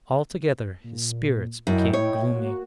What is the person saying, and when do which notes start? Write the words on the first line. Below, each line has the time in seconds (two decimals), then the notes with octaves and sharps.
Altogether his spirits became gloomy.
0.84 A#2
1.67 F#2 E4 D#5 G5
1.93 C#5
2.32 A#3 F#4